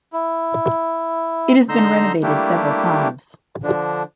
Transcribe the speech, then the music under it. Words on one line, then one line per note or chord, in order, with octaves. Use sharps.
It has been renovated several times.
E4
D3 D#4 A#5 C6 E6 G6
G3 A3 A#3 D4 E4 G4
D3 F3 D4